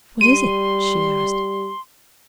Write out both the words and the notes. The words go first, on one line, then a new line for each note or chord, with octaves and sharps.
'What is it?' she asked.
G3 C6 D#7